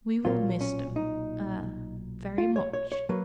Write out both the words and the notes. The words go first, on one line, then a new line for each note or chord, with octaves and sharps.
We will miss them--ah--very much.
B1 A#2 F#3 A#3 F4
C#4
D#4
F4
C#5
C#5
C#5
F#3 A#3 B4